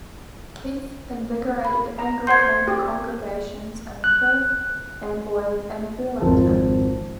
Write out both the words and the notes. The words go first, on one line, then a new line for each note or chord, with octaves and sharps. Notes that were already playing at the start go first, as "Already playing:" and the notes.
Keith invigorated Anglican congregations in Perth Amboy and Burlington.
B5
A#5
C5 F#5 C6 G6 G#6
G4
F#6
G#1 F2 F3 C4 A#4 A5